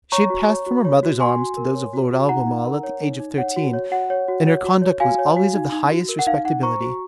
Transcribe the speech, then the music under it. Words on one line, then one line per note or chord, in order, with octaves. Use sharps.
She had passed from her mother's arms to those of Lord Albemarle at the age of thirteen, and her conduct was always of the highest respectability.
C#5 A#5 C#6
F#4
C#5
F#4
C#5
F#4
F#4 G#5 C6
F#4
A#4
C#5
F#4
F#4
D#4 F#5 A#5
D#4
A#4
C#5
D#4
D#4
C#5 F#5
F#4
C#5
F#4 F#5
C#5
F#4
C#5
F#4
C#5
F#4 F5 G#5
C#5
F#4
D#4
D#4
F#4
A#4
F#5
D#4 F5
D#4 F#5
C5 A#5 C#6
F#4